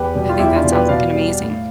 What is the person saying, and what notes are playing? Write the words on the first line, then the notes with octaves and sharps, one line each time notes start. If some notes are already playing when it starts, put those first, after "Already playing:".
I think that sounds like an amazing
Already playing: E2 G4 B4
B2 G3
F4
E2 E4 G4
D4 F4
B2 G3
G4 B4
B2 D5 F5
G3
A2